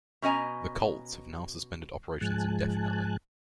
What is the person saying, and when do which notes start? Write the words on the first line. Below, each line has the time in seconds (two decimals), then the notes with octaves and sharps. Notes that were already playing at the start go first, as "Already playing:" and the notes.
The Colts have now suspended operations indefinitely.
0.22 B2 C#4 D#5 G#5 A#5
2.21 G#2 F3 G#3 G#5 A5 F#6